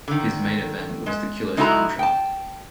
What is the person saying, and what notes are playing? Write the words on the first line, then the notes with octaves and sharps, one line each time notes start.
His main event was the Kilo Time Trial.
D3 D#3
G#3
G#3 D#4 E4 F#4 A4 A#5
G5 A5